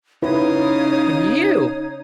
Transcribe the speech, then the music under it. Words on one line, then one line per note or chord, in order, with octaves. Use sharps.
And you!
C#3 D#4 E4 B4 C#5 F5 D#6